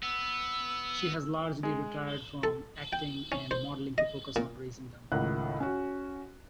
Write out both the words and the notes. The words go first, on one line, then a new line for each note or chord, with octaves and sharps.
She has largely retired from acting and modelling to focus on raising them.
B3 E6
G#3
A4
G5
C#4
C5
D#5
A#2
C#2 A2 D#3 F#5 F#6
C#4 F#4